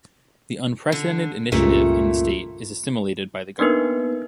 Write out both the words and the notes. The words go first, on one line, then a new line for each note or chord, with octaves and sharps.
The unprecedented initiative in the state is assimilated by the government.
D3
C#2 G2 A#2 A3
A#3 B3 D4 D#4 A#4 B4